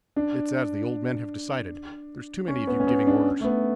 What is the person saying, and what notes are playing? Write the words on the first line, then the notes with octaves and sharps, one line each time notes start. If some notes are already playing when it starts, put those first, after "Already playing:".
"It's as the old men have decided--there's too many of you giving orders."
D4
C#4
B3
C#4
B3
D4
A3
B3